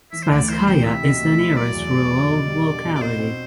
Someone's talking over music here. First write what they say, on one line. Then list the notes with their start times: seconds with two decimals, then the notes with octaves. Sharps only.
Spasskaya is the nearest rural locality.
0.12 E3 E5
0.23 C5
0.30 D2 D5
0.49 E3 C5
0.66 C3 C5
0.84 E4 E5
1.03 B2
1.21 A3
1.39 E4
1.56 F#3 D5
1.75 E2
1.93 E2
2.12 F#3
2.30 B2
2.47 G3
2.66 D4
2.84 B2
2.95 D5
3.02 B2 C5
3.20 C4